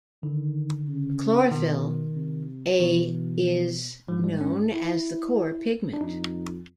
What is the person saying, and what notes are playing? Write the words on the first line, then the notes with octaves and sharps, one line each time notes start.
Chlorophyll "a" is known as the core pigment.
D3 D#3
C#3
B2 D#3
C3
B2 E3
G#2 F3
G3
C#4
E4
D4
F2 D#4